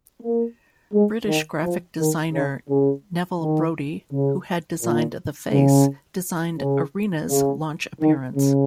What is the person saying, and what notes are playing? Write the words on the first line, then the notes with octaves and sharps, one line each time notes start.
British graphic designer Neville Brody, who had designed "The Face," designed "Arena's" launch appearance.
A#3
G#3
D#3
F3
D#3
C#3
C#3
D#3
C#3
A#2
C#3
C#3
C#3
D#3
C#3